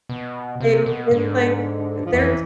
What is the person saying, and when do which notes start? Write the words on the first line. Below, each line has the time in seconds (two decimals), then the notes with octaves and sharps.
they it's like, uh, they're, t
0.09 B2
0.60 C3
0.86 B2
1.11 G#2 D3
2.05 F3
2.13 F2 E3